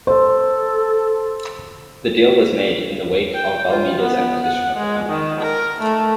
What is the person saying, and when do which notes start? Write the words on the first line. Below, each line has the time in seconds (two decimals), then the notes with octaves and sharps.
The deal was made in the wake of Bell Media's acquisition of the company.
0.07 A4 C5
3.34 G5
3.69 F4
4.01 B3
4.44 F#5
4.77 G#3
5.09 D#3
5.41 A#4
5.82 A3